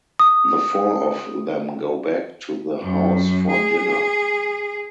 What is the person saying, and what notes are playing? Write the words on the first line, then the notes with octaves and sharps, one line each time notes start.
The four of them go back to the house for dinner.
D#6
F#2
G#4